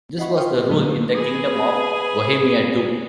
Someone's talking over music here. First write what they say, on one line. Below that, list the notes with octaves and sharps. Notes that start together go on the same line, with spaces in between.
This was the rule in the Kingdom of Bohemia too.
E4 F4 D#5 F#5 B5 C#6
G5 C6 C#6 D#6 F6
A#2 D3 F#3 A3
G#4 B4 G#5